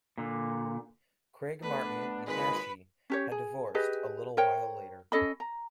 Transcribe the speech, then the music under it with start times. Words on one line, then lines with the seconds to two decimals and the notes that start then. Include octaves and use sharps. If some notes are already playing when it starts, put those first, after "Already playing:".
Craig-Martin and Hashey had divorced a little while later.
0.18 A#2 D3
1.63 A3 B3 D4 B4
2.27 G#1 A#2 G#3 B4 B5
3.10 C#4 G4 C#5
3.32 G#4
3.75 G4 G#4 B4 D#5
4.37 A#4 C5 C#5 G5
5.12 C#4 A4 D#5 B5
5.40 A#5